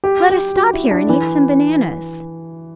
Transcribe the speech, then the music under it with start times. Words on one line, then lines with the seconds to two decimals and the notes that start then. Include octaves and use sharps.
Let us stop here and eat some bananas.
0.04 G4
0.30 G4
0.56 F#4
0.73 E4
0.91 D4
1.09 E3